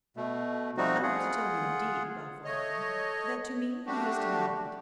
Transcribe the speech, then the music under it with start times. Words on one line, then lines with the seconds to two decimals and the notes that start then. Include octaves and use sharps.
"I ought to tell you indeed," Ralph went on, "that to me he has denied it."
0.16 B2 A3
0.77 F3 G3 A3 C4 D#4 F#4
1.03 F4 G#4 F#5
2.45 A3 C#5 D#5
3.87 G3 A3 D4 F#4 G4